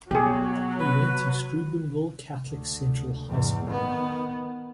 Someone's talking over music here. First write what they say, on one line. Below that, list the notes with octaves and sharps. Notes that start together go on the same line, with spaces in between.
He went to Steubenville Catholic Central High School.
B2 F#3 G4 G#4
B4
D2
E2 G#2
D#3 B3